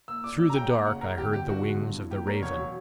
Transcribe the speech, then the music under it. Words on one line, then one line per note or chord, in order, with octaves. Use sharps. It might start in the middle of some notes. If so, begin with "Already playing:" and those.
Through the dark I heard the wings of the raven.
A#3 E6
A#2 D6
F#3 E6
A#5
C#3 G5
A#3 A#5
C#3 F#5
C#3 A#4
G1 G4
G1 G4
D3 F#4
G1
G2
E3
A#3 G4
C#4 A#4
E1 C#5
F#3